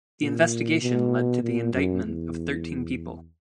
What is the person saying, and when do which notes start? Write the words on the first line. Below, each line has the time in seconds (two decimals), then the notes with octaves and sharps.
The investigation led to the indictment of thirteen people.
0.22 A#2
0.83 B2
1.43 A#2
1.73 F#2
2.04 E2